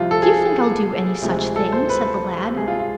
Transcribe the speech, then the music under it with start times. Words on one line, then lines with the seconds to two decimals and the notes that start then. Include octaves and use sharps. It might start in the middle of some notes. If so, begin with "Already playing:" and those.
"Do you think I'll do any such thing?" said the lad.
Already playing: C2 C3 F3 F4
0.11 A4
0.22 G#4
1.22 D2 C3 F3 G#3
1.56 A4
1.72 C5
1.89 B4
2.56 C2 C3 G#3 G#4
2.68 F4
2.79 F4